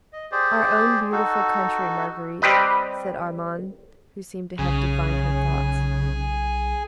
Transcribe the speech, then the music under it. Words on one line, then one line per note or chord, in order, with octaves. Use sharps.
"Our own beautiful country, Marguerite," said Armand, who seemed to have divined her thoughts.
D#5
G4 G#4 C5 D5
D#4 F#4 A4
G3 C4 G4 B4 D#5
B1 C#3 G#4 G#5